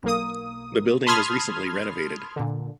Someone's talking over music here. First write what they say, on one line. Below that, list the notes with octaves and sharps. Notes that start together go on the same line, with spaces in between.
The building was recently renovated.
B1 A#3 D#6
A5 B5 C6 D#6 F6 G#6
A#2 D3